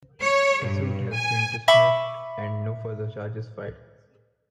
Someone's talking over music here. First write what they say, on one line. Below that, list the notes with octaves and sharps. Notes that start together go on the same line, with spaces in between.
The suit has been dismissed and no further charges filed.
C#5
G2
G#5
E5 B5 C#6 D6